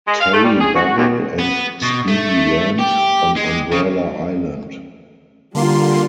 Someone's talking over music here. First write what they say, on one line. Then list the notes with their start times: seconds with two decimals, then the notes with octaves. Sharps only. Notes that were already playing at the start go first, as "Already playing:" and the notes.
Terrybubble and Speedy land on Umbrella Island.
0.06 G#3
0.20 F5
0.33 A3
0.44 G3
0.59 G#4
0.75 F#4
0.97 D#2
1.39 B3
1.82 B2
2.08 A3
2.80 G4
3.37 G#3
3.72 C#3
5.55 D3 G3 A#3 F4 C6